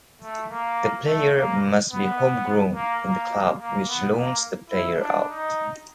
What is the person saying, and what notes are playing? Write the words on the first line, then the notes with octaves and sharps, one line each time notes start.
The player must be homegrown in the club which loans the player out.
A3
A#3
A3
A#3
B3
A#3
A#3
A#3
B3
A#3
E4
D4
D#4